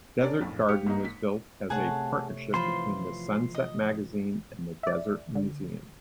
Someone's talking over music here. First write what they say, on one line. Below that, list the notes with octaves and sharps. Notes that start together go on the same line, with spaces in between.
Desert Garden was built as a partnership between "Sunset" magazine and the Desert Museum.
C#4 D4 A#4 C#5 D5
A#1 F2 A2
G4 F5 C#7
G#2 A#3 D#4
B6
C3 A3 G#4 C#5 F#5 A5
E3 F3 F4 C5 B5 C6
D#5
D5 E5
D3